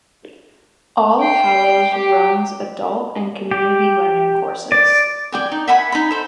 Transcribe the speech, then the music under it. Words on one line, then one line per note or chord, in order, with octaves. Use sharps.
All Hallows runs Adult and Community Learning courses.
G5 C7
G4
G4
D5
D5 G5 G#5
D#4
E5 F#5 G#5 B5
D#4 G#5 B5
A4 C5